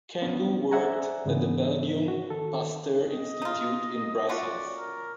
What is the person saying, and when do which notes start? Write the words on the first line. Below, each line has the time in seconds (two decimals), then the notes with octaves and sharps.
Gengou worked at the Belgium Pasteur Institute in Brussels.
0.22 B3 C#4 D4
0.71 C5 D5 E5 F#5 G#5 A#5
1.26 G#2 C#3 E3 B3 D4
2.08 F#4
2.30 D#3 A4
3.09 D#5
3.42 D#4 F4
4.29 C#4 F4 F#4 D5
4.77 A#4